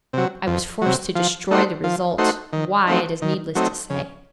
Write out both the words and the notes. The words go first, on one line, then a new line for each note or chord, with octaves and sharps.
I was forced to destroy the result, why it is needless to say.
C3 F#3
F2
C3 F#3
F3
A3 D#4 F#4 C5
F3
A3 D#4 F#4 C5
D#3
F#3 A3 C4 D#4
D#3
F#3 A3 C4 D#4
C#3